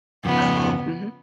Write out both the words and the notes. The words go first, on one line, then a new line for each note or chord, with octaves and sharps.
Oh, mhm.
F2 C#3 F3 B3